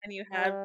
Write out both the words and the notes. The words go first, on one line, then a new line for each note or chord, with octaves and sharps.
And you have
G3